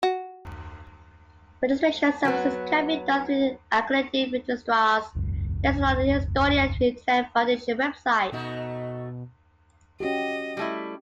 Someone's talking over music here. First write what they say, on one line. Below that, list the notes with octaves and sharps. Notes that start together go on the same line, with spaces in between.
Registration services can be done through accredited registrars listed on Estonian Internet Foundation website.
F#4
F#3 B3
E1 C#2 F#2
B2 A3 D#4 F#4
C#4 F#4 G4 D#5
G3 A3 E4